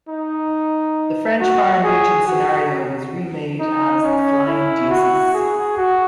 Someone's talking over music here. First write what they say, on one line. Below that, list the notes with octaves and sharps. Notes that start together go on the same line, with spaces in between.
The French Foreign Legion scenario was remade as "The Flying Deuces".
D#4
F#4
G#4
F#4
D#4
C#4
E4
F#4
G#4
F#4